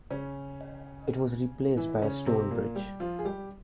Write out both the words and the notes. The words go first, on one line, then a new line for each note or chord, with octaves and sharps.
It was replaced by a stone bridge.
C#3 C#4
E3 E4
C#3 C#4
C3 C4
A#2 A#3
G3 G4
F3 F4
G#4
G3 G4